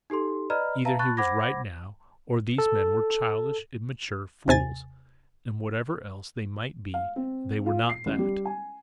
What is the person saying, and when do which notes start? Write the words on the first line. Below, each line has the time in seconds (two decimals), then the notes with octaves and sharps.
Either he was right now, or these men were childish, immature fools--and, whatever else they might be, they were not that!
0.10 D#4 G4 A4 C6
0.50 B4 D5 D#5 A#5 B5 F6
0.85 B4 E5 F5 A5 A#5
0.99 A5 B5 C#6 F#6 A6
1.17 C5 F#5 B5 D6 G#6 A#6
2.58 A4
4.48 D#2 C3 G#5 A6
6.94 F5
7.16 C4
7.66 F4
7.89 C7
8.06 A1
8.18 G3
8.45 G#5